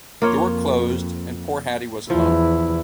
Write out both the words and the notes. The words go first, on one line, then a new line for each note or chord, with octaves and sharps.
The door closed, and poor Hattie was alone.
F2 A#3 F4 C#5
E2 F3 E4